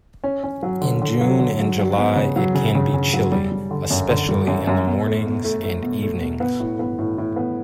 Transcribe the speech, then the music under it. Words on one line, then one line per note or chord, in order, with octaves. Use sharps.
In June and July it can be chilly, especially in the mornings and evenings.
C#4
C#4
F#3
D3
D3
F#3
D3
F#3
F#3
B3
C#3
F#3
C#3
C#3
C#3
F#3
G3
G3
D3
F#2
D3
G3
F#2
F#2
B2
A3
B2
A3
A3
B2
A3
B2
B3
A2
B3
A2
A2
B3